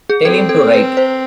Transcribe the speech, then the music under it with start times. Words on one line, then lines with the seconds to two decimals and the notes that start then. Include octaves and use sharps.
Tell him to write.
0.10 G#4
0.25 C4 A4
0.49 A4
0.74 B4
0.97 C5